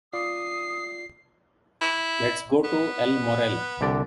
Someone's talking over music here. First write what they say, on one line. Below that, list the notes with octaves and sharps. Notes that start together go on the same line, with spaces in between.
Let's go to El Morell.
F4 D5 D#6 C7
E4
B3
C2 D3 D5